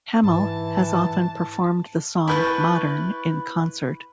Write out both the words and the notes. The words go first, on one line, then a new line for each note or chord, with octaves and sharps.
Hammill has often performed the song "Modern" in concert.
G#2 E3 A5
E4 B4 A5 B5 C#6 G6